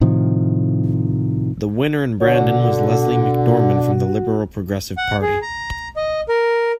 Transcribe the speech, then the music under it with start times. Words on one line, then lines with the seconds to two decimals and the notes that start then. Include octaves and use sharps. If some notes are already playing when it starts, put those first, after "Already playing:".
The winner in Brandon was Leslie McDorman from the Liberal-Progressive party.
0.01 A2 C3 D#3 F3
2.20 D3 F#4 C#5
2.40 B2
4.97 F#5
5.22 G#4
5.42 A#5
5.96 D#5
6.29 A#4